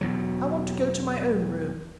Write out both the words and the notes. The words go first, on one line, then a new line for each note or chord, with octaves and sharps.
"I want to go to my own room."
E2 B2 F#3